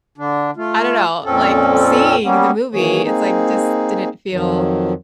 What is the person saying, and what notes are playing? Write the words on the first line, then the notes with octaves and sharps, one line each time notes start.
I don't know, like, seeing the movie, it's like, just didn't feel,
D3 D4
A3 F4
F2 A#2 C4 C#4 A4
G3 A#3 B3 C#4
D#3 E3 A#3 G#4 C#5
A#3 C4 D#4 G#4
F2 D#3 F3 F#3